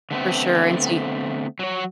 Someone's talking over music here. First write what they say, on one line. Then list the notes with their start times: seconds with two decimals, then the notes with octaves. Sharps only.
For sure. And so y
0.11 D3 A3 B3 C4
1.59 F#3 C#5